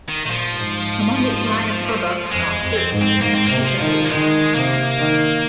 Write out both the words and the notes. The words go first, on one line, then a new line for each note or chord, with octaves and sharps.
Among its line of products are Bits and Cheetos.
D#3
A#2 D#3
F3
G#2
F2 G#3
F2
C4
G#2
C4
G#2 A#3
C4
C3 A#3
F3
D#3
A#3
D#3 G#3
C3 A#3
D#3